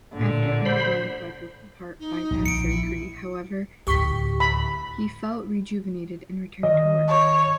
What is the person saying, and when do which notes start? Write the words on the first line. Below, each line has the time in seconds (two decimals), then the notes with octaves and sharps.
After undergoing quadruple heart bypass surgery, however, he felt rejuvenated, and returned to work.
0.13 A1 A#2 D3
0.65 C5 B5
2.00 D#4
2.31 A#1 G#2
2.46 A#1 C#7 D7
2.68 E4
3.87 D2 A2 G4 C#6 B6
4.40 B5
6.63 D#3 D#5
7.08 C#5